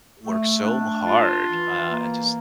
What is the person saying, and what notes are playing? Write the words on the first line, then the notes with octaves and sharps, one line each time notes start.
work so hard, uh, and just
A3
D4
F4
E3
A#3